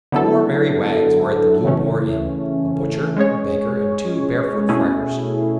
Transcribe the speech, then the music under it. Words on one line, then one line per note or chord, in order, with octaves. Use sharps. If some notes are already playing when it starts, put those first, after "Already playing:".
Four merry wags were at the Blue Boar Inn; a butcher, a beggar, and two barefoot friars.
D3 F#3 B3 E4 A4
C#3 E3 A3 C#4
G#3 C#4 G#4 C#5
B2 A3 C#4 E4 G#4